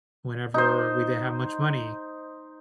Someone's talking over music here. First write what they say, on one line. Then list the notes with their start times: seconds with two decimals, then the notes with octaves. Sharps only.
whenever we didn't have much money,
0.54 D#4 C5